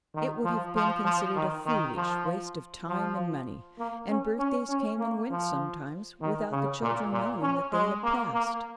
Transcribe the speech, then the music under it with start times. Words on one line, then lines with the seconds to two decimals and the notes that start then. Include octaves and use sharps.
It would have been considered a foolish waste of time and money, and birthdays came and went sometimes, without the children knowing that they had passed.
0.15 D#3
0.44 F3
0.75 F3
1.05 F3
1.36 D#3
1.66 D#3
1.96 F3
2.88 F3
3.79 A#3
4.09 C#4
4.39 C#4
4.69 C#4
4.99 A#3
5.30 F3
6.21 D#3
6.51 C#3
6.82 A#2
7.12 A#2
7.42 C#4
7.73 G#3
8.03 A#3
8.33 A#3